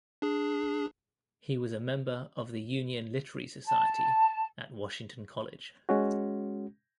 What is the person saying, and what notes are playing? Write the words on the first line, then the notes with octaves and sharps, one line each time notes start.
He was a member of the Union Literary Society at Washington College.
D4 G#4
A5
G#3 C#4 F#4